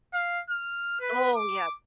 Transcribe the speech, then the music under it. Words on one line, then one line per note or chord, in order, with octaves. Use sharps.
Oh, yeah.
F5
F6
B4
D6